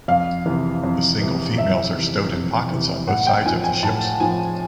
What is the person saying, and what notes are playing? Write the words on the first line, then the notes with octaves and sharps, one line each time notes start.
The single females are stowed in pockets on both sides of the ships.
F2 F5
C3 E3
F2
C3 E3
F2 E5
C3 E3
F2
C3 E3
A2 F#5
G5
F3 G#5
G#5
A2 A5
F3 G#5